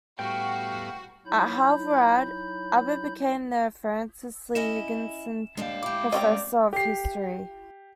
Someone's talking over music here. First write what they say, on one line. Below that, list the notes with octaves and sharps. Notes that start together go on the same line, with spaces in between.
At Harvarard Abbott became the Francis Lee Higginson Professor of History.
A2 G3 B3 F#4 F5 G5
F#3 D#4 E4 C#5 B5 G6
C#4 E4 D#5 E7
D#2 G3 G#3 D4 F5
E4 G4 D6
C4 C#4 D5 D#5 G5 A#5
G4 C7